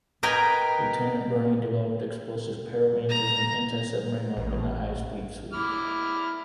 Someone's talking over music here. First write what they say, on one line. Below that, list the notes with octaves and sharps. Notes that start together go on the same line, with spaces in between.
Lieutenant Burney developed explosive paravanes as an anti-submarine weapon, a "high speed sweep".
A#4 B4 D#5 G5 G#5 A#5
A#5
A1
E4 D6 F6